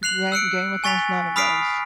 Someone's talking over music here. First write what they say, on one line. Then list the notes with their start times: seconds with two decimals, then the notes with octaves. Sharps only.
Gain Game of Thrones, none of those.
0.03 F#6 C7 F7 F#7
0.32 E6 F#6 C#7 D7
0.84 G#5 C#6 A6 B6 F7
1.36 B5 D#6 F6 B6 C7 D7